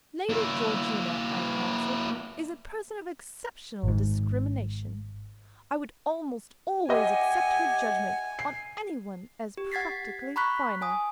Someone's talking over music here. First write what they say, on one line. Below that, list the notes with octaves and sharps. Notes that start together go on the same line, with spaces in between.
'Lady Georgina,' I answered, 'is a person of exceptional discrimination. I would almost always accept her judgment on anyone as practically final.'
A#3 E4
G#1 G#2
G4 D#5 E5 F#5 G#5
C7
G4
F#5 G#6 A6 B6 C7
A#5 B5 C#6 F#6 B6
G#5 D#6